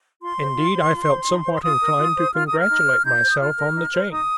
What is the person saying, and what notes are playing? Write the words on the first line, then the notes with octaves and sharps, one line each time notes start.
Indeed, I felt somewhat inclined to congratulate myself on the change.
F4 C6
C5
F4
C5
F4
C5
D#4
C5
C6
F4 D#6
A#4
F4
C5
F4 F6
D#6
A#4
F6
D#4
C5
D#4 G6
C5
D#6
F4 F6
A#4
D#4
C5
D#4 D#6